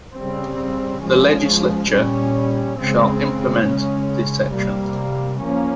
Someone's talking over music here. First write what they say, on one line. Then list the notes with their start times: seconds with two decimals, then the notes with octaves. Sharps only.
The legislature shall implement this section.
0.16 C#3 G3 C4
1.03 F3 G#3 C#4
1.91 A#2 G3 C#4
2.79 C#3 G#3 C4
3.66 C#3 G#3 C#4
4.54 C3 G3 A#3
5.41 F3 A#3 C#4